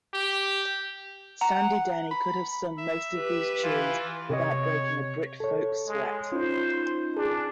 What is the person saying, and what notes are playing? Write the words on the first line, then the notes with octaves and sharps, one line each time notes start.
Sandy Denny could have sung most of these tunes without breaking a Brit-folk sweat.
G4
F#5 A#5
B5
E5
G4 B4
E3 F4
C3 C#5 D#5
A4 C#5
G#3
C#4 D#4 F4 C5
D4 G#4